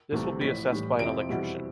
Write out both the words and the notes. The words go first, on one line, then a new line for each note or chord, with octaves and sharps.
This will be assessed by an electrician.
C2 C3 E3 A3
A1 A2 F3 B6
A2 E3 G3
F2 C3 F3 C4 E4 D7
E2 B2 G3 C4 E4